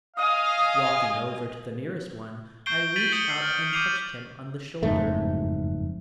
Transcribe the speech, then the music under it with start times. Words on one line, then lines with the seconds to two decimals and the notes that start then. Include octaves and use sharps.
Walking over to the nearest one, I reached up and touched him on the shoulder.
0.17 D#5 F5 G#5 D#6
2.66 C#6 G6 C7 D7 G7
2.96 A6 B6 D7 D#7 F7 F#7
3.12 D#6 G6 C#7 F7 G7
3.29 C7
3.42 F6
3.73 D6 G6 C7 D#7 F7
4.83 F#1 F2 G#2 A3